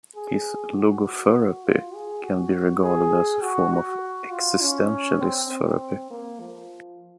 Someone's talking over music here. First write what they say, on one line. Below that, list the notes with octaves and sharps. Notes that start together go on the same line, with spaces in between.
His logotherapy can be regarded as a form of existentialist therapy.
G#4
F#4
F#4
F4
G#4
F#4
G#4
F#4
F#4
F4
C#4
C4
C4
A#3
F3